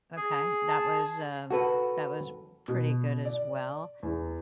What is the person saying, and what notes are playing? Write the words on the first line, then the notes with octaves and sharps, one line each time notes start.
Okay, that was, um, that was pretty good as well,
G#4
A5
F#4 A4 B4
B2
D5
E2